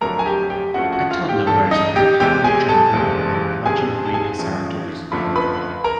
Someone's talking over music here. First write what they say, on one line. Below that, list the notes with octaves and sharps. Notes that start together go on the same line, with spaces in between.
A toddler wears a red holiday jumper while clutching three Pixar toys.
F2 D3 F#3 A3 A#4 A#5
G#5
G4 G5
G4 G5
F2 C#3 F3 A3 F#4 F#5
F#4 F#5
F4 F5
G4 G5
E1 E2 C#3 A4 A5
D#4 D#5
G4 G5
E2 C3 E3 G#3 G4 G5
G#4 G#5
A4 A5
F#1 E2 C3 E3 G#3
F#1 F2 D3 G3 G#4 G#5
A5
G#4 G#5
E2 C#3 F3 A3
F#1 F2 D3 F3 A3 B5
B4 B5
A#4 A#5